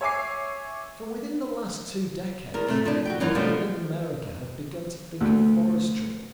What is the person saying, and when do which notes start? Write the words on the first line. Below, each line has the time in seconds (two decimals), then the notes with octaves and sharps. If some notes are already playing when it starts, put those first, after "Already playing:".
So, within the last two decades, the people in America have begun to think of forestry.
0.01 C#5 E5 G#5 D6 C7
2.54 E2 A#4
2.67 A2 C3 A3
2.84 A#2 F3 D4 E4
3.05 F#4 G4 G5
3.20 F#2 D#3 E3 F#3 D#4 F4
3.34 B2 D3 F3 G3 A3
5.21 D2